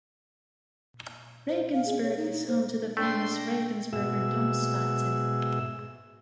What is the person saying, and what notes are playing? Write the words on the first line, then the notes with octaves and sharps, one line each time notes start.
Regensburg is home to the famous Regensburger Domspatzen.
C5
F5
G#4
C#5
D#4
D#4
C5
G#3 A3 D4 G5 C6
G5 A#6
G#2 B2 F#4 G#4 E5 E6